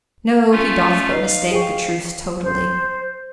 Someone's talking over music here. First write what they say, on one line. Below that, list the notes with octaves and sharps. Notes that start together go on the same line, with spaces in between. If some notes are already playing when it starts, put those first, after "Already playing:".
No; he doth but mistake the truth totally.
A3 C#4 F4
D#4 B4 F5
G#4 G5 C#6
C5